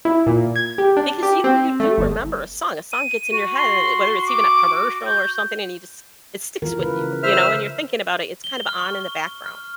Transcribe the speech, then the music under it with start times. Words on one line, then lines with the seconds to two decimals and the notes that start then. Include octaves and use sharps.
Because you know, you do remember a song a song gets in your head, and it whether it's even a commercial or something, and you just it sticks with you you know, and you're thinking about it it's kinda on in the background,
0.05 E4
0.26 A#2
0.56 G#6
0.78 G4
0.97 D4
1.23 G4
1.44 C4
1.80 A3
1.98 G1
2.92 D#7
3.32 F#4
3.56 C6
4.27 D6
5.06 G6
6.62 E3 F4 A#4
6.79 C#3 B4
7.23 C5 E5 F6
8.44 G7
8.67 F6
8.80 C#6
9.46 F6